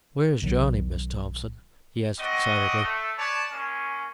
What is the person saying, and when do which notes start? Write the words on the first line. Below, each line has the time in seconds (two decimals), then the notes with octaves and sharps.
"Where's Johnny, Mrs. Thompson?" he asked excitedly.
0.42 B1 D#3 F#3
2.19 G3 C4 F#4 D5 D#5
2.82 A3
3.18 B4 C#5 D5 A5
3.51 G#3 A#3 C#4